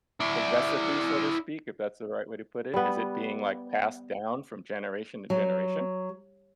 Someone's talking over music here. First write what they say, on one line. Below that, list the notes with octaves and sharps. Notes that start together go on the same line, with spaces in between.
the recipe, so to speak, if that's the right way to put it? Is it being, like, passed down from generation to generation?
E4 D5
G3 B3
F#3